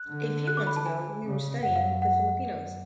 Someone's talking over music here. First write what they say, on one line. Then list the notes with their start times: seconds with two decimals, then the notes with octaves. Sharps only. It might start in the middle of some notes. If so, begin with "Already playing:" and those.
A few months ago we were studying the Filipinos.
Already playing: F#6
0.09 D3
0.47 F#6
0.57 D6
0.67 B5
0.76 A5
0.86 G#5
1.25 C#3
1.63 F#2 F#5
1.76 F5
2.02 F#5
2.40 F#2